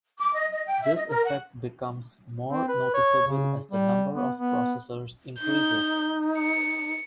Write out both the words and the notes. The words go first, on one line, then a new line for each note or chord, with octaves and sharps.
This effect becomes more noticeable as the number of processors increases.
D6
D#5
D#5
G5
E5
D#5
A#4
F#5
C4
B4
C#5
C#3
G3
B3
B3
D#4 G6
C#7